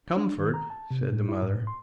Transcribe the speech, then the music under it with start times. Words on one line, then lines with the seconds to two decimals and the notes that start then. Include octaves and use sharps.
"Comfort!" said the mother.
0.17 D4
0.39 D#3
0.54 A#5
0.70 A5
0.91 C3
1.12 A2
1.29 E4
1.43 G#2
1.55 A2
1.67 C6